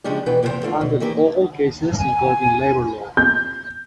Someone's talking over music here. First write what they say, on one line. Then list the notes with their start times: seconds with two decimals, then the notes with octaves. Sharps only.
Handle all cases involving labor law.
0.04 C#3 F3 G#3 C#4 D4 G4
0.26 B2 E3 B4 G5
0.43 E2 C3 F3 A#4 C5 G5
0.63 D3 A3 F4
0.81 B2
1.00 D#3 E3 A#3 E4 G4
1.97 G#5
3.17 G6